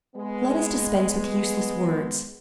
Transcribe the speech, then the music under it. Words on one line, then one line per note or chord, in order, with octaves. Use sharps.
Let us dispense with useless words.
G#3 B3